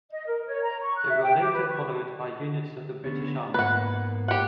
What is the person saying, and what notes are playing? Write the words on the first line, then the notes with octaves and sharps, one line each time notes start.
They were later followed by units of the British Army.
D#5
A#4
C#5
A#5
C#6
F#6
E5
G5
G4
B4
C#6
D3 B3 C#4
G#2 A#3 B3 B4 F#5
G4 F#5